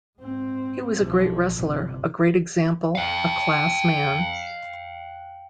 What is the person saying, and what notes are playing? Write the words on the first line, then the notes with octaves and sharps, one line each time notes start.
He was a great wrestler, a great example, a class man.
G#2 C4
B1 F3
G1 C3
F5 G5